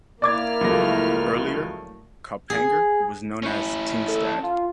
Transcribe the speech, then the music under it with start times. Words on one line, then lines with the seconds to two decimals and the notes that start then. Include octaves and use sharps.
Earlier, Kaupanger was known as Tingstad.
0.22 A#3 E4 D5 D6 F6 G#6
0.61 C#2 F3 F#3 A3 A#6
2.50 G#4
3.43 C#4 E4
4.08 A4
4.43 F4